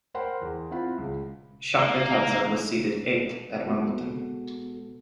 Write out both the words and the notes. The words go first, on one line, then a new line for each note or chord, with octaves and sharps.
Chakvetadze was seeded eighth at Wimbledon.
A#4 C5 F#5 G5 B5 C6
E2
C4 E4 F4 F#5 B5
C#2
A#3
G#3 B3 F#4 A4